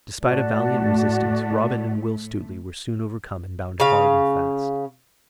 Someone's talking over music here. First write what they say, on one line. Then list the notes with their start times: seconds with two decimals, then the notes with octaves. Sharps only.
Despite a valiant resistance, Robin and Will Stuteley were soon overcome and bound hard and fast.
0.23 A2 A3 F#4 D5 A5
3.80 C#3 F5